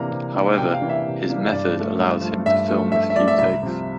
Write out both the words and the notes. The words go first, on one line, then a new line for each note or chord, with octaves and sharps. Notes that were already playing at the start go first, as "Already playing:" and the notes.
However, his "method" allows him to film with few takes.
Already playing: C3 E3 A#3 D4 A#5
C3
E3 A#3 D4
C3 G5
F5
E3 A#3 D4
E5
C3
E3 A#3 D4
G2 D5
F3 A3
G2
F3 A3
G2 E5
F3 A3
G2 E5
E5
F3 A3 D5
E5
C2 E5
C3 F3